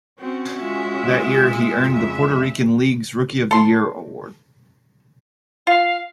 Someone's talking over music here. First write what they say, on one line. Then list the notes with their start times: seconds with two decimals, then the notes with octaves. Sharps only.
That year he earned the Puerto Rican League's "Rookie of the Year Award".
0.20 C4 C#4 F#4
0.58 G#3 F4 E5
1.91 F2 C#3 G#3 E5
3.51 A4 C6
5.67 F4 F5